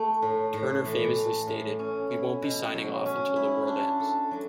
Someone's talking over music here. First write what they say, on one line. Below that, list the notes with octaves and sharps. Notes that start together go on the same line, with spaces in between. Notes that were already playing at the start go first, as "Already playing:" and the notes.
Turner famously stated: We won't be signing off until the world ends.
Already playing: A3
A2
A2
E3
A3
A2
C#4
E4
B2
F#3
C#4
E4
D4
A4
F#3